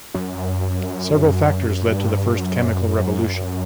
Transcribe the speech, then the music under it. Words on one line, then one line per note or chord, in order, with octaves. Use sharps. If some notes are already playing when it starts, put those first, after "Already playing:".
Several factors led to the first chemical revolution.
F#2
G2
F#2